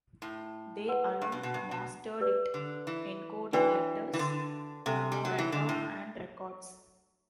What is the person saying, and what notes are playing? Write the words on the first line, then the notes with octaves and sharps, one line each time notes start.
They alone mastered it, encoding letters, memoranda, and records.
A2
B4 F#5 C6
G2
B2
B2
G2
B2
G4 B4 D5
D3
E3
E3 D4 F#4 B4 D5 G5
E3
D3
C3 D4 A4 E5
G3
F#3
E3
D3
A2